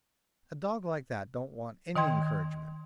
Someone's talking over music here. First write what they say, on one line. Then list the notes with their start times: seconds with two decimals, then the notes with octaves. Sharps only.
A dog like that don't want any encouragement.
1.96 D#3 D#5 G5 C6 G#6